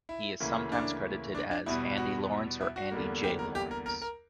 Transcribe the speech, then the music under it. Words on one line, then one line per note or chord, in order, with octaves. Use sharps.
He is sometimes credited as Andy Lawrence or Andy J. Lawrence.
E4
D2 C#3 E3 A#3
D4
D4
D4
E2 B2 G3 B3 E4
F#4
E4
F#4
E2 D3 G3 A#3
G4
A#4
G4
A#4
A#4
A#4